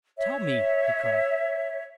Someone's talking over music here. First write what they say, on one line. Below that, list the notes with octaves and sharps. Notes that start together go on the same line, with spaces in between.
"Tell me!" he cried.
C#5 E5